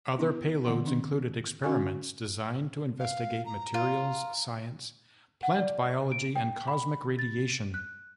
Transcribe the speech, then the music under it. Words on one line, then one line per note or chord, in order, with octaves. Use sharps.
Other payloads included experiments designed to investigate materials science, plant biology and cosmic radiation.
B3 D4 E4
D3 E3 B3 F#5 C6
D#3 C4 D4
D3 C#4 F#4 F5 G#5 C#6
F5
A#5
F4
F#5
D5
D7
G5
B5
A6
F#6